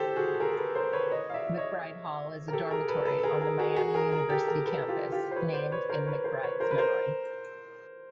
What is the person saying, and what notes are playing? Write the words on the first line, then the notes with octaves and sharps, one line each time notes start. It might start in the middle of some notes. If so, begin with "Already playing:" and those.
McBride Hall is a dormitory on the Miami University campus named in McBride's memory.
Already playing: G4 A4 C5
F#4 G#4
A4
G#4 A#4
A4 B4
A#4 C5
B4 C#5
C#5 D#5
F5
D5 E5
C#5 D#5
A#4
G4 A4
G#4 A#4
A4 B4
A4 B4
A4
G#4 A#4
G#4 A#4
F#4 G#4
F#4 G#4
G#4 A#4
G#4 A#4
G4 A4
G#4 A#4
A4 B4
F4 G4
F4 G4
C5
B4 C#5
C5 D5
B4 C#5
A#4 C5
B4 C#5
A#4 C5
B4 C#5
A#4 C5
B4
A#4 C5